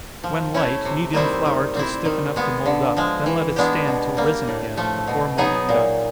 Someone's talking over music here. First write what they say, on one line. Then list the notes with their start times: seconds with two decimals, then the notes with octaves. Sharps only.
When light, knead in flour till stiff enough to mould up, then let it stand till risen again, before moulding it up.
0.24 F3
0.54 A3 C#4 E4
0.85 C3
1.13 D#3 G3 C4 E4
1.45 D#3
1.75 G3 C4 E4
2.05 D#3
2.36 G#3 B3
2.66 D3
2.97 F3 G#3
3.26 E3
3.56 G#3 B3 D4 G4
3.87 B2
4.17 G3 A#3
4.48 A2
4.77 F3 A3
5.07 B2
5.38 F#3 B3 D#4 G#4
5.69 A#2